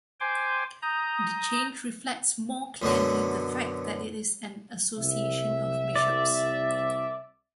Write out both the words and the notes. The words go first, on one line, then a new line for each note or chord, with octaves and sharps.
The change reflects more clearly the fact that it is an association of bishops.
C5 G5 G#5 C6 D6
A#5 D#6 G6
F#2 B2 D3 F#3
C2 E5
D5